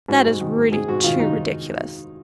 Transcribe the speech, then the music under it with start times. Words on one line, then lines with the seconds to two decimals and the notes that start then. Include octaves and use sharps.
That is really too ridiculous!
0.08 G#2 F#4
0.24 G#2
0.41 D#3
0.57 G#2
0.72 G#2 G#4
0.88 G#2 F#4
1.04 D#3 F4
1.20 D#3 D#4